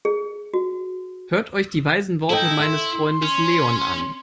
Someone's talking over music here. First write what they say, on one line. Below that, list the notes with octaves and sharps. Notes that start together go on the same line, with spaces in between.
Hört euch die weisen Worte meines Freundes Leon an!
G#4
F#4
D#4 E4 A4 D#5 G5
E5 C6
C#4